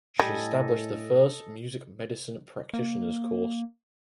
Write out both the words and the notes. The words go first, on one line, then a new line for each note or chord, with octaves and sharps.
She established the first music medicine practitioners course.
A2 G3 A4 D#5 G#5
A#3